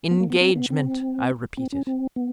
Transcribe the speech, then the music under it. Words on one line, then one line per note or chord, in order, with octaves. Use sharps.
"Engagement," I repeated.
B3
A#3
B3
C4
B3
C4
C4
C#4
C4
B3